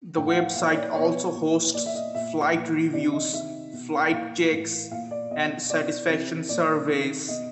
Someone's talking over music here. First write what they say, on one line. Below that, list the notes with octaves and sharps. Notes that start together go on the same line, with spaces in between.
The website also hosts flight reviews, flight checks, and satisfaction surveys.
A2 E3 G5
F#5
F5
A#2 F5
C#5
D5
B2 C#5
A#2
A#2 D5
E5
D#5
A#2 E5
A#2
C3 D#3 D5
D#5
C3 D#3 E5
B2
A#2 F5
A2 E3
A#2 F5
D5
B2 D#5
B2 D5
C3 E3
A#2 D5
C3 D#3
B2 D#5